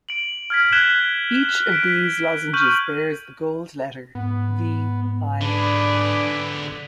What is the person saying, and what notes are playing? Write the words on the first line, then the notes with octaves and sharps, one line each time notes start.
Each of these lozenges bears a gold letter, V. I.
D7 F#7
F6 G#6 B6
F#6 G#6 B6 E7 G7
E7
B6 D7
C#6 F6 G6 D#7 F#7
G#2 B3
D3 D4 G#4 B4 D5